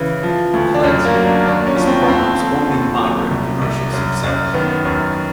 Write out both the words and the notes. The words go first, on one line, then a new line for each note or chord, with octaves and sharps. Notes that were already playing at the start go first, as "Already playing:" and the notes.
"Cleansing" was Prong's only moderate commercial success.
Already playing: C#3 E3
F3
D2
D4
F#2 C#4
A#3
F#3
D4
D#2 D4
C#4
F3
C4
B3
F2 C4
F2
D#2
F#3
C2
C2
F#2
F#2
D#3 B3
F#2